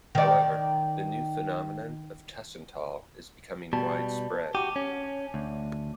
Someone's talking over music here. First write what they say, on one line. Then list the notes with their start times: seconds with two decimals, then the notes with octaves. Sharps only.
However, the new phenomenon of tussentaal is becoming widespread.
0.15 D#3 D5
3.73 B2 G3 A5
4.55 F#4 G4 D6 D#7
4.76 C#4
5.34 D2